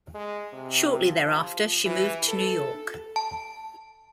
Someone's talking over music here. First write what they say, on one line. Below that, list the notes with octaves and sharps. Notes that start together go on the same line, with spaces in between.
Shortly thereafter, she moved to New York.
G#3
C3
F3
E3
A4
A5